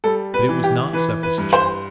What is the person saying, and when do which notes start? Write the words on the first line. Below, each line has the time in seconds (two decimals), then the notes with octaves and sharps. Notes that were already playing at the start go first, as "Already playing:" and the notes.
But it was not supposition.
0.04 G3 A4
0.34 B4
0.49 E3
0.64 G4
0.93 E3 B4
1.23 B4
1.38 G2
1.53 C5